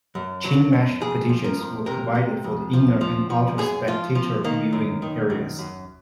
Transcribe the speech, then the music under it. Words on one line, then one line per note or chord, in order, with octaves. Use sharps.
Chain mesh partitions were provided for the "inner" and "outer" spectator viewing areas.
F#2
F#3
F#2
F2 G#4
F3
A#4
F2
C3 A#4
C3
F2
F3
F3
F3
F#2 G#4
F3 F4
F3
D#3 A#3
F#2
D#3
F#2
F#2